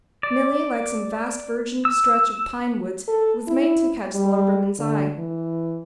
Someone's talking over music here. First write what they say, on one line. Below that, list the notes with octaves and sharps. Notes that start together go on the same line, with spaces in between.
Milly, like some vast virgin stretch of pine woods, was made to catch the lumberman's eye.
D5
E6
A4
E4
G3
D3
E3